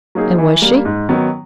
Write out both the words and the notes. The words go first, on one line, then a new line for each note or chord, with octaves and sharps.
"And was she?"
F#3 A#3 D#4 G#4
E3
G3 A#3
G#2
D#3 F#3 B3